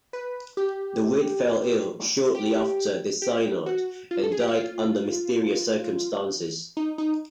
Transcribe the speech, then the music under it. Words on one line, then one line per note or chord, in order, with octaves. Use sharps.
Dawit fell ill shortly after this synod, and died under mysterious circumstances.
B4
G4
G4
G4
F#4
F4
A4
G#4
G4
F#4
F4
D#4
D#4